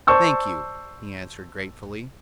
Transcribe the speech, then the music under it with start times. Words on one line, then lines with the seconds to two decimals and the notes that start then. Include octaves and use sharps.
"Thank you," he answered gratefully.
0.07 C5 D5 A5 C#6 E6 G6